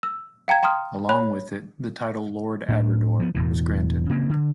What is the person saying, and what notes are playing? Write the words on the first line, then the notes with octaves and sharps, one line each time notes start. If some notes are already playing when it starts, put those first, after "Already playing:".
Along with it, the title Lord Aberdour was granted.
E6
F5 G5 A#5 G#6
G5 A#5 C6 D#6 F6
C#5 B5 F#6
A2 C4 D4
F3 B3
E1 E2 A2 E3
C#3 A#3 C4
D3